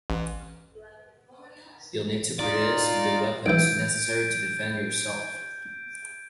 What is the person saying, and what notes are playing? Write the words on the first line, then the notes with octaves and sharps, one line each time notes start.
You'll need to produce the weapons necessary to defend yourself.
A1
D#4 F4 D5
B1 E3 G6 G#6 D7